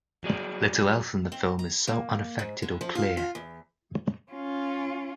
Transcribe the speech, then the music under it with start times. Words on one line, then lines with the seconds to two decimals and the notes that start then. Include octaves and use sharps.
Little else in the film is so unaffected or clear.
0.24 F#3 G#4 D5
1.32 C4
1.59 A#5
1.87 A#3
2.39 G#2
2.62 D3
2.81 F3
2.95 F4
3.17 F4
3.35 E2
4.32 C#4 F4